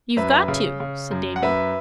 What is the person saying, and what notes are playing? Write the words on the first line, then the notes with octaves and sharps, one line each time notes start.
"You've got to," said Davy.
F#2 B4 E5
C#3
C#3
F#2
F#5
F#2 B4 E5